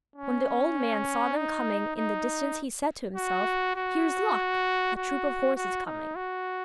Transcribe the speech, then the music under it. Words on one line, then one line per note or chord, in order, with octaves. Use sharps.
When the old man saw them coming in the distance he said to himself: 'Here's luck! a troop of horses coming!
C#4
D#4
D#4
F#4
F#4
F#4
F#4
D#4
F#4